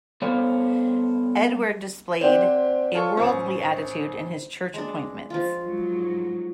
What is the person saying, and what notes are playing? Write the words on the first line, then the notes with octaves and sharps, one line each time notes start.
Edward displayed a worldly attitude in his church appointments.
G3 B3 A4 C5 C#5 F5
C4 G4 C5 D5 F#5
F4 A4 C#5
A1 C#4 C5
G#3 D4
F3 F4
G#2 F#3